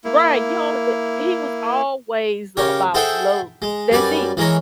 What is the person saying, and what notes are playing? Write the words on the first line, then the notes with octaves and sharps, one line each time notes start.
right, you know, eh, he was always about love. That's it,
A#3 E4
C#3 G4 A#4 C#5
G#4 A4 C5 E5 F#5 G5
G#3
F#2 G3 B4 D5 G#5
E3 G#3 A#4 C#5 A#5